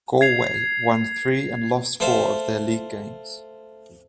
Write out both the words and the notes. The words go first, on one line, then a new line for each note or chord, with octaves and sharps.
Galway won three and lost four of their League games.
G#6 C7 F7
A3 C5 F5